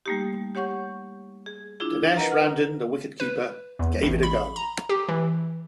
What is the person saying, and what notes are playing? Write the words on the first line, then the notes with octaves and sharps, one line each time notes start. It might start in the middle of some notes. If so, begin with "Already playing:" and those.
Denesh Ramdin, the wicket-keeper, gave it a go.
G3 A3 A#3 D#4 G4
G4 C#5 F#5 C#6 G6
G#4
D4 E4 F4 G#4
A#4 B4 D#5 F#5 A#5
F#5 F6
B4
E2
A1
B5
A#5
G4
E3